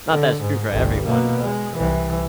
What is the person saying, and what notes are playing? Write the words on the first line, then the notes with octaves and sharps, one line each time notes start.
Not that it's true for everyone, but, you know,
D3
G#2
G1 C2
B2 A#3
G#3
C2 E3